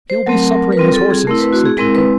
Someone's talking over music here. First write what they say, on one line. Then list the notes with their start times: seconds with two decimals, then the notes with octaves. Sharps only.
"He'll be suppering his horses," said Turkey.
0.10 C5
0.26 F#3 A3 C4 A#4
0.52 A#4
0.72 B4
0.77 G3 C4 F4 A#4
0.94 A4
1.11 G#4
1.27 A3 C4 E4 A#4
1.40 B4
1.53 F#4
1.65 G#4
1.78 G#3 C4 E4 A#4
1.95 B4